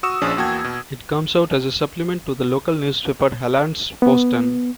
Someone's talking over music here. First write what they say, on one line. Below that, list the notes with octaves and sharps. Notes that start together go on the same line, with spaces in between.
It comes out as a supplement to the local newspaper Hallandsposten.
F#4 C#6 D#6 E6 E7
A#1 F3 C#4 D4 G#4
E2 A#3 F#4 G5 A5 G#6
B2
B3